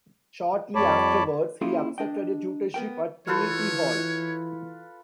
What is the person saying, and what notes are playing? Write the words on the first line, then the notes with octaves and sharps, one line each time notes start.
Shortly afterwards, he accepted a tutorship at Trinity Hall.
F2 G3 C#5 A5 B5 D6
A#3 C#4 E4 F4 G4 G#4
D4 D#5 G5
B3 A#4 G5
E3 F4 A4 B4 C#5